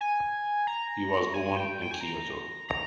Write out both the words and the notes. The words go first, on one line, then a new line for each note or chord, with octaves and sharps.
He was born in Kyoto.
G#5
A#5
G#5
G5
G5
G#5
A#5
A#5